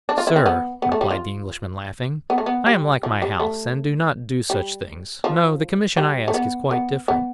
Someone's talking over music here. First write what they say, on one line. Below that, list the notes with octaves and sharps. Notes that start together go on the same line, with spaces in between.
"Sir," replied the Englishman, laughing, "I am like my house, and do not do such things--no, the commission I ask is quite different."
D4
F4
E4
C4
B3
B3
A3
G3
F4
B3
A3
B3
G3
F3
G3
A3
G3
F3
G3
A3
B3
B3
B3